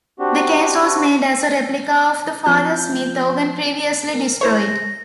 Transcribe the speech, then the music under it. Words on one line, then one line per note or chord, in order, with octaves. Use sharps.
The case was made as a replica of the Father Smith organ previously destroyed.
C4 D4 F#4 G4
F3 C4 F4 G6
A#4
E4 A4 C5 C#5
A#6